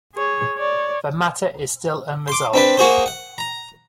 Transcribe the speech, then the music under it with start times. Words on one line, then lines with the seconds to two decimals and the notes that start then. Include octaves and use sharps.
The matter is still unresolved.
0.15 G#4 C#5
0.57 C#5 D5
2.28 C6 D6
2.54 C4 D4 B4
2.77 A#3 F#4 G#4 C5
3.06 F#5
3.38 A#5